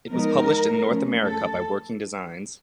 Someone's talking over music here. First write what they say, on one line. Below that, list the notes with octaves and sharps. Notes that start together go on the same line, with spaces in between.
It was published in North America by Working Designs.
F3 G#3 B3 D#4 A#4
F3 A3 C#4
A4